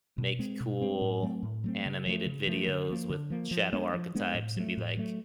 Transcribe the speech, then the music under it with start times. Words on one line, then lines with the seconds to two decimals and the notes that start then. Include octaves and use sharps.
make cool animated videos with shadow archetypes and be like
0.18 B2
0.39 G#3 C4
0.60 B2
0.81 G#3 C4
1.01 A2
1.23 F#3 A3 C4
1.43 A2
1.64 F#3 A3 C4
1.86 C#3
2.06 F3 A3
2.26 C#3
2.47 F3 A3
2.68 D3
2.90 F3 A#3
3.10 D3
3.30 F3 A#3
3.51 F3
3.73 G#3 B3 D4
3.93 F3
4.15 G#3 B3 D4
4.35 A2
4.56 F#3 A3
4.77 A2
4.97 F#3 A3